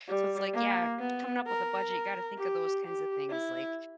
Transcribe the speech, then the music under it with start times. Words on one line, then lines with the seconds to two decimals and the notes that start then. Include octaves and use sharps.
So it's like, yeah, coming up with a budget, you gotta think of those kinds of things, like,
0.08 G3
0.54 A#3
0.99 B3
1.46 A#4
1.91 A#4
2.38 G4
2.84 G4
3.30 E4